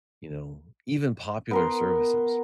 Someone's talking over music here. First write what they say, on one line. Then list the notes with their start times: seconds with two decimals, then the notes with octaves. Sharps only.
you know, even popular services.
1.51 B3 A#4 C6